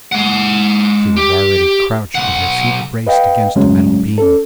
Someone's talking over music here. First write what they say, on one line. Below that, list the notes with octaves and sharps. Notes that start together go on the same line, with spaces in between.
She was already crouched with her feet braced against a metal beam.
G#3 F#5
G4
B1 F#5
B4 D#5 F5 G5
C#2 F#2 A2 F#3 G#3 C#4
C#4 A4